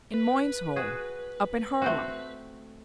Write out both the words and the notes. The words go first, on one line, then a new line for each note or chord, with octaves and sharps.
"In Moyne's home--up in Harlem."
B4
F#4 G#4
A3 C4 F#4